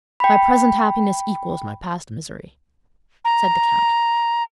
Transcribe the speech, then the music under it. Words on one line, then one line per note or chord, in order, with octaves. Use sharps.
"My present happiness equals my past misery," said the count.
G5 B5
A#5